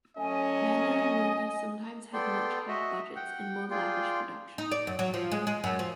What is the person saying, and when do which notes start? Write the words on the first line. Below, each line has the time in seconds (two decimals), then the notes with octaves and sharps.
Mandarin movies sometimes had much higher budgets and more lavish production.
0.17 F#3 A3 C#4 D#5 G#5
2.14 B3 A4 D5 G5 C6
2.68 F#4 D#5 E5
3.16 F#5 G5
3.71 F4 G#4 D5 G5 C6
4.58 D#4
4.71 D5
4.87 F#2
4.99 F#3
5.14 F3
5.31 G#3
5.47 G#3
5.64 F#2
5.79 F3